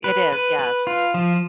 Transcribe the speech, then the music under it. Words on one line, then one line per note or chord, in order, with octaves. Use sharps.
It is, yes.
B4
B4
B4
F4
F3